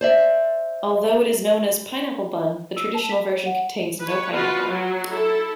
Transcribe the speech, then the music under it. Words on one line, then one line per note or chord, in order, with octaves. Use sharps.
Although it is known as "pineapple bun", the traditional version contains no pineapple.
C5 D5 E5
E6
A5
B6
C#5
F#5
B4 C#5
B3 F4 F#4 B4
F#3 F#4
E4 A4